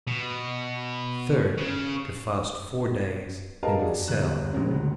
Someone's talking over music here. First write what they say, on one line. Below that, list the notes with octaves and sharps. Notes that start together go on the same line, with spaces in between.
Third.--To fast four days, in the cell.
B2
C#3
G#4 A#4 B4 D#5 F5 A5
D4 F#4 G#4
G1 F#6
A#1 C#3 G#3 C4 C#4
F#1 D2